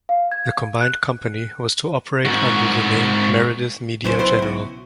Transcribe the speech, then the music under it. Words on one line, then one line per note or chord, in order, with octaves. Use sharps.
The combined company was to operate under the name Meredith Media General.
F5
G#6
F#6
G#2 F#4
B1 C#3 E3 C#4 C5
B3 E4 C5
E4 F#4